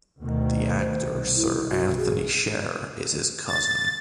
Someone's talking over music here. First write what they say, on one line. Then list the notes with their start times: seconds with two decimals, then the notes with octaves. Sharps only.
The actor Sir Antony Sher is his cousin.
0.21 D2 B2 D#3
0.77 C5
1.07 C2
1.36 E4
1.70 B1 F#4
1.99 G#4
3.47 A6